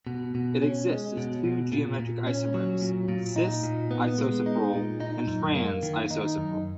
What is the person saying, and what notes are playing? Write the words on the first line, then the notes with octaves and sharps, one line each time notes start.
It exists as two geometric isomers, "cis"-isosafrole and "trans"-isosafrole.
B2
B2
C#4
G#3
B2
B2
A#2
A#2
C#4
F#3
A#2
A#2
D#4
A#2
B3
G#3
D#4
A#2
D#4
F#2
A#3
D#3
D#4
F#2